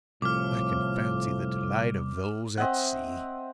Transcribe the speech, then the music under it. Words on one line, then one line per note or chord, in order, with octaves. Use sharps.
I can fancy the delight of those at sea.
C2 A2 F3 D6 F6
C4 D#5 E5 F#5